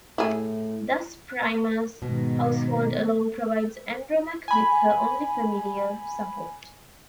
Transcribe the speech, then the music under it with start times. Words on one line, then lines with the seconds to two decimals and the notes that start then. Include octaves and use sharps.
Thus Priam's household alone provides Andromache with her only familial support.
0.18 A2 E4 G#4
2.02 G#2 B2 D#3
4.48 G#5 B5